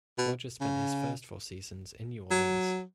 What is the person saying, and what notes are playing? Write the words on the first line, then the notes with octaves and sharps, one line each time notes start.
Rogers spent his first four seasons in New Orleans.
B2
C#3
F#3